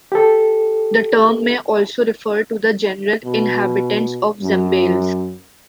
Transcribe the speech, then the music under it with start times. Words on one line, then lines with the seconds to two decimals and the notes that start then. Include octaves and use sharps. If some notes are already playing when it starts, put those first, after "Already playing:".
The term may also refer to the general inhabitants of Zambales.
0.12 G4 A4
3.24 B2
4.42 F#2